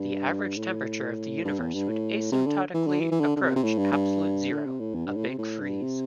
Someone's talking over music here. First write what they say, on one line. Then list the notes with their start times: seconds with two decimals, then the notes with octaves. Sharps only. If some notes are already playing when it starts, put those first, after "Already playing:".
The average temperature of the universe would asymptotically approach absolute zero-a Big Freeze.
Already playing: G2
0.57 A2
1.45 G2
1.59 E2
1.74 G2
1.89 A2
2.32 C3
2.47 D3
2.74 E3
2.87 D3
3.00 E3
3.11 E3
3.20 D3
3.36 D3
3.41 C3
3.56 C3
3.63 A2
3.78 G2
3.92 G2
4.51 D3
4.66 C3
4.80 A2
4.94 E2
5.06 G2
5.16 A2
5.28 C3
5.38 A2
5.60 G2
5.82 C3